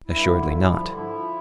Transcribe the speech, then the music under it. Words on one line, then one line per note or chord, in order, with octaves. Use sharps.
Assuredly not.
G2 E4
D3
G2
F3
G2
D3
F3 E4
F3